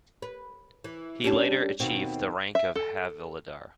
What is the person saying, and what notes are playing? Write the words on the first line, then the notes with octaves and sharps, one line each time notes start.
He later achieved the rank of Havildar.
B4
E3
G3 C#4 D4
D#2 B2 C4
E5
A4